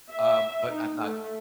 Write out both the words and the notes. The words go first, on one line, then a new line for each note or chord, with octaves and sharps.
um, but I'm not
E5
D#4
A3